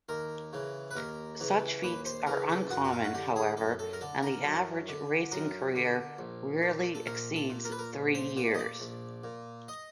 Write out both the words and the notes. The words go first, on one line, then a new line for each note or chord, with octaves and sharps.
Such feats are uncommon, however, and the average racing career rarely exceeds three years.
D#2 A#4
C#3 E3
B4
D#2 A#4
C#3 E3
D#2 B4
C5
C#3 E3 A#4
A4
F#2 F#4
F#4
F4
F#4
D3 G4
G#4
F#2 A4
A4
A#4
D3 A4
A#4
F#2
D3
F#2 A#4
D3
A#1
A#2
A4
A#1 A#4
A4
A#2
A#4
B4
A#4
A#1
C5
A#2 D5
D#5
D5
A#1
A#2
D#5